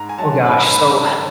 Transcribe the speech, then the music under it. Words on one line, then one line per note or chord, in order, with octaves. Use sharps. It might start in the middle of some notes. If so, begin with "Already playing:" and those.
Oh gosh, so,
Already playing: G#2 A#5
G#5
F#3 A5
G#2 B5
A#5
G#2 B5
D#3